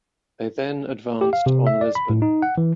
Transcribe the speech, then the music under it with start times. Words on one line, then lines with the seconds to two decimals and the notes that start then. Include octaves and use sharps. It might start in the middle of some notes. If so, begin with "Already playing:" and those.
They then advanced on Lisbon.
1.21 G4
1.33 F5
1.46 C3
1.67 E5
1.81 D5
1.95 B5
2.10 A2
2.22 D#4
2.42 F#5
2.58 E3